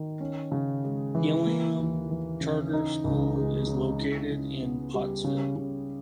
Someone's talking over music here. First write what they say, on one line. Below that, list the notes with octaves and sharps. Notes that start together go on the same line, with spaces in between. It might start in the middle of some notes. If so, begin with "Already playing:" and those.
Gillingham Charter School is located in Pottsville.
Already playing: D#3
C#4
C#3
G#3
E3
A#3
D#2
E3
C#3
D#4
C#2
G#3
C#3
E4
C#3
B3
G3
C#3
C#3